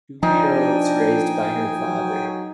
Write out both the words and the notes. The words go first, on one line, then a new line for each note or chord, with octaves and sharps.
Julia was raised by her father.
F3 D4 D#4 G5 G#5
F#3